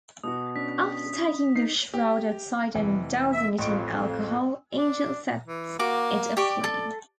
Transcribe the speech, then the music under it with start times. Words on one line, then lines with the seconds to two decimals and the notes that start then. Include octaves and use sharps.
After taking the shroud outside and dousing it in alcohol, Angel sets it aflame.
0.24 B2 F#4 D#6
0.56 C#4 D4 B6
1.56 D#4 C7
1.94 G4
2.74 F1 E3
3.32 E5
3.59 A1 F2 C#6 D7
4.78 D4
5.47 E3
5.79 A#3 F#4 D6
6.37 G4 D5 C#6
6.64 A4